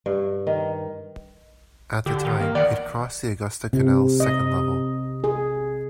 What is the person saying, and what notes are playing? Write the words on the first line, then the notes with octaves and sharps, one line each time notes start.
At the time, it crossed the Augusta Canal's second level.
G2
D#3
D3 G4
D#3
A#3
D#3 D5 F#5
C3
D#5
G#4